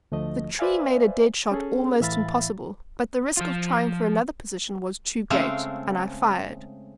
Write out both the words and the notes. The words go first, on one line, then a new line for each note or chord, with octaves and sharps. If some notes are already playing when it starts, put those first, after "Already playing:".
The tree made a dead shot almost impossible, but the risk of trying for another position was too great, and I fired.
D2 F3 A3 D#5
B4 C5 D5 E5 F5 G#5
C#4 G#4 A4
A2 E3 E5 F5 B5 A6
F3 F4
C#3 G#3 A3 C4 C5 F5